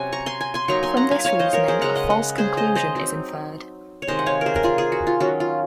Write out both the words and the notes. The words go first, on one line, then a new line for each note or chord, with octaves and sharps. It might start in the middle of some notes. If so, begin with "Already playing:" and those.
From this reasoning, a false conclusion is inferred.
Already playing: C3 F#3 C#4 F#5 G#5
A#5 C#6
G#5 C6
G#5 C6
G#5 C6
F#3 A#3 D#4 A#5 C#6
G#5 C6
F#5 A#5
F5 G#5
C#5 F5
C5 D#5
A#4 C#5
G#4 C5
C#3 G#3 C#4 F#5 A#5
D#5 F#5
D#5 F#5
G#4 C5
C5 D#5
C5 D#5
F#3 C4 D#4
C#5
C3 D#3 G#3 C5 D#5
F#5
C#5 F5
G#4 A#4 C5
A#4
F4 G#4
F4 G#4
F#4
F4
D#3 F#3 C#4 F4 F#4
F4